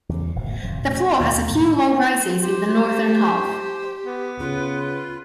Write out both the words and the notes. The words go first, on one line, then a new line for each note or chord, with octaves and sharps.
The floor has a few low rises in the northern half.
E2 C#3
D1 G#1 B2
D1 F2
B2
D#2
A2 A#3
G4 C5
B3
C#3 F4 B4